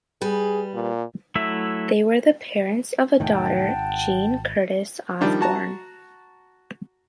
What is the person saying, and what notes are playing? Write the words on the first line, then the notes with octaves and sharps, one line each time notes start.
They were the parents of a daughter, Jean Curtis Osborne.
G3 G#4 B4
A#2
F#3 A3 E4 E5
F1 A2 D#3 F#5 G5 A5
G#1
D#3 F3 G3 D4
F#4 A5 A#5